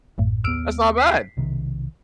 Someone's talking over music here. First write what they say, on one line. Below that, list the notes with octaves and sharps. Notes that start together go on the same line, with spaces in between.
That's not bad."
A1 F#2 A2
D#2 B3 E6 F6 D7
B6 C7
B1 C3 D#3